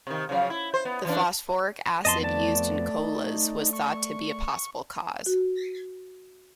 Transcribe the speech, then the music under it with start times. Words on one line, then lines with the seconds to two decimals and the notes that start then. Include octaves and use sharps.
The phosphoric acid used in colas was thought to be a possible cause.
0.07 C3 D#3
0.29 C#3 F3 F#3
0.50 E4
0.74 C5
0.85 B3
1.05 E3 C#4 D4
2.05 F2 B3 D#5 A5 C6
2.23 A3 D5 A5
2.99 D#4
3.73 C#6
5.26 F#4